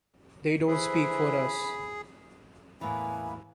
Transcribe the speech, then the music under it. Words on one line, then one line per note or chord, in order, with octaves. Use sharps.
They don't speak for us.
D3 E3 G#4 C5 B5
E2 A2 E3 A#3 B3 E4 G#5